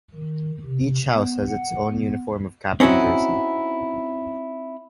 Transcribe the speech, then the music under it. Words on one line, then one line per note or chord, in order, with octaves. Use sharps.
Each house has its own uniform of cap and jersey.
D#3
C3
B3
F#5
B3
C4 C#4 D#4 E4 F#4